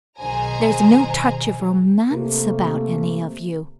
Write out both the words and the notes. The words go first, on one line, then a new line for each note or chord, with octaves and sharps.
There's no touch of romance about any of you.
B1 D#3 G#4 C5 G#5 A#5
C3 A3 A#3